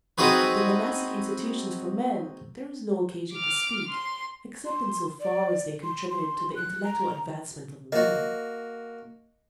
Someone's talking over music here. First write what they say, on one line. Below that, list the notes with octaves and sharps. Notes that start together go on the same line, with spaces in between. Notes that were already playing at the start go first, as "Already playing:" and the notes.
Of the monastic institutions for men there is no occasion to speak, except in so far as they contributed to the intellectual advancement of woman.
C4 D#4 F#4 G#4 B4
D6 F6
C6
C6
D5
C6
C6
F#6
A#5
A#3 F#4 D#5